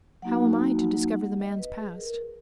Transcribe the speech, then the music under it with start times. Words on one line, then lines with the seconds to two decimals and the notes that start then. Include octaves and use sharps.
"How am I to discover the man's past?"
0.22 F#3 A#3 D#4 F#4 F#5
0.81 F#5
1.09 F#5
1.40 D#5
1.59 B4
1.78 G#4
1.98 A#4